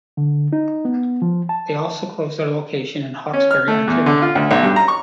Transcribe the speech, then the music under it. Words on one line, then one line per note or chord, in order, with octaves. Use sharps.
They also closed their location in Hawkesbury, Ontario.
D3
D#4
B3
F3
A5
C#4
F6
A3
E2
D3
F4
D2
B1
G2
A#5
C#6